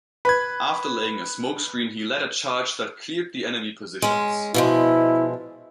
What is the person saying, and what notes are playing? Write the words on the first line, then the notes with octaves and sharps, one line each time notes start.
After laying a smokescreen he led a charge that cleared the enemy positions.
B4 B5 G#6
G#3 C#4
B2 F3 G#3 E4